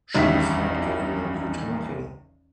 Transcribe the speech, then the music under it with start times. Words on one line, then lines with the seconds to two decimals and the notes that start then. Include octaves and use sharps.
She is not given a new title.
0.15 A1 E2 G2 D#3 E5 B6